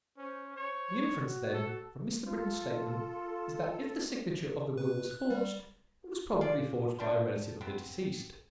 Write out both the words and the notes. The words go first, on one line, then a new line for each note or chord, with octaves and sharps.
The inference, then, from Mr. Britton's statement is, that if the signature of the will was forged, it was probably forged by a relative of the deceased.
C#4 C5
C5 C#5
F#4
A4
F4 A4
B4
F#6
G3
F4 G#4 D5
D3 G3 C5 C6
B3 C4